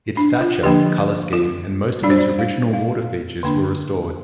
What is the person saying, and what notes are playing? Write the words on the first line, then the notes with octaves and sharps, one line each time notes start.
Its stature, colour scheme and most of its original water features were restored.
D4
F4
D3 F3 A#3 D4 G4
F4
G3 D4 D5
C5
D5
F5
F5
D3 A#3 D4